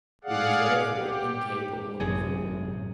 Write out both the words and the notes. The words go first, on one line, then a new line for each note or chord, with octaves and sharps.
It is, therefore, incapable of reform.
G#4 D5 F5 F#5
G4
G#1 F#2 A2 C3 G#4